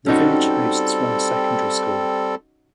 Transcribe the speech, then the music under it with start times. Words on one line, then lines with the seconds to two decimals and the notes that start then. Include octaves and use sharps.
The village hosts one secondary school.
0.07 G3 C4 C#4 D#4 F#4 A4